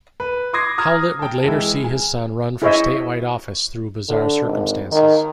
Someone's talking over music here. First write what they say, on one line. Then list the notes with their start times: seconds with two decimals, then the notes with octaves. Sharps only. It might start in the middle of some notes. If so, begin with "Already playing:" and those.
Howlett would later see his son run for statewide office through bizarre circumstances.
0.20 B4
0.53 C6 D6 D#6 G#6 A#6 C7
0.78 A#5 D#6 F6 G#6 A#6
1.19 G5 A5
1.43 E3 G#3 E4
1.84 G#5
2.62 E4 G#4 C5 C#5 D#5 E5
4.09 D3
4.45 G#1
4.91 D#3